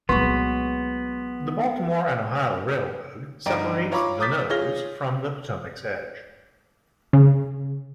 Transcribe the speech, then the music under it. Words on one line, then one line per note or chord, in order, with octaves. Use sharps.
The Baltimore and Ohio Railroad separates The Nose from the Potomac's edge.
C2 A#2 F#3 G#3 B3 B4 C6 C#6
G1 D#4 D5 G5 A#5 D7
F4 C#5 A#5 B5 C#6 D6
A#5 D6 D#6 G6 A6 B6
F4 G#4 C#5 F6 A#6 G7
C#3